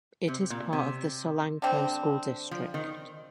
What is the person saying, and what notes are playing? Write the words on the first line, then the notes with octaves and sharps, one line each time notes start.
It is part of the Solanco School District.
C3
A#2
C3
D3 G3 C4
F3
D#3